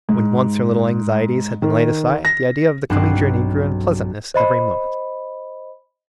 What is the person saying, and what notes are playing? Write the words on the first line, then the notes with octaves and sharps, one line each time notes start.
When once her little anxieties had been laid aside, the idea of the coming journey grew in pleasantness every moment.
G#2
D#3
A#6
B1 G2 F#3 C4 F#6 C7
C5 D#5 B5